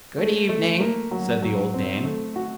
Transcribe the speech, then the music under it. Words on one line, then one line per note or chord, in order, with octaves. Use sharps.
'Good evening!' said the old dame.
A3
A3
A#3
F#3
F#3
C4
A3
F#4